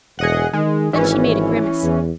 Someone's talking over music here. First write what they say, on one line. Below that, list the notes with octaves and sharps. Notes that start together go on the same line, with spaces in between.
Then she made a grimace.
E1 G#4 D#5 F#5
D#3 G#3
G#1 E3 C#4
E2